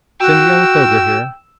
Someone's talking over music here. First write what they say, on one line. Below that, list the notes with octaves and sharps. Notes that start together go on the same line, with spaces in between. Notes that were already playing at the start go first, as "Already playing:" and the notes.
"Send young Foger here."
F#4 G5 E6